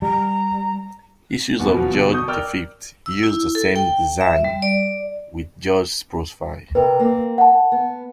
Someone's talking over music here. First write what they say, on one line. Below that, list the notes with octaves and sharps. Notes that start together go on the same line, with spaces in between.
Issues of George the Fifth used the same design with George's profile.
G3 A#5
E2 B2 A#3 B3
B2 F3 F#3
B2 D3
B1 C#6 D#6 G6
A#4 D5 G5 D6 E6 F6
E6
E4
A4
G5
E5
G3
D5
C3 A#4 B4
A#3 C4
F#5 A5
B3